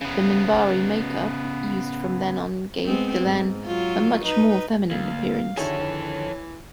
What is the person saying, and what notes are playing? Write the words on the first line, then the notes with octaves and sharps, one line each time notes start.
The Minbari makeup used from then on gave Delenn a much more feminine appearance.
C#3 B3
G#3 B3 C4
G#2
F#3 F4
D#4 B4
D2 A#3 F5
D3 D#3 F3 E4 F#4 G#4 A4 C#5
E3